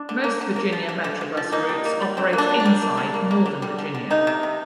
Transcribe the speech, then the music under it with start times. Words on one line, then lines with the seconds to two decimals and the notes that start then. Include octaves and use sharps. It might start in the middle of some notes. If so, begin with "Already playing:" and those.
Most Virginia Metrobus routes operate inside Northern Virginia.
Already playing: D4
0.09 D3
0.24 A#3
0.41 D3
0.56 A#3
0.73 F3
0.89 D3
1.04 D3
1.21 D3
1.37 F3
1.52 A#3 D#4
1.69 G3
1.85 A#3
2.02 G3
2.17 D3 C4
2.33 A#3
2.38 D4
2.49 D3
2.60 D4
2.65 G3
2.82 A#3
2.97 G3
3.14 A#3
3.31 A#3
3.46 D3
3.62 G3
3.78 D3
3.95 D3
4.10 C3 D#4
4.27 C3
4.43 C3